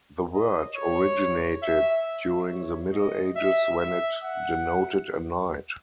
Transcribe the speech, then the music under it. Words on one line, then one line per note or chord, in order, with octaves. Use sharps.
The word originated during the Middle Ages when it denoted a knight.
D#5
C#5
E5
C#5
D#5
E5
E5
F#5